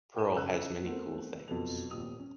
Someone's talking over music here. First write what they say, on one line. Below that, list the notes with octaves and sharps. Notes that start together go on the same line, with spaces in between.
Perl has many cool things.
A#4 F#5 G5 A5 D#7 E7
C#3 A4 E6 F#6
A3 B3 C4 A#4 C5 F#5
F#1 F2 B2 A4 B4 F7
D#1 A#2 B3 G4 D#6 F7
C#4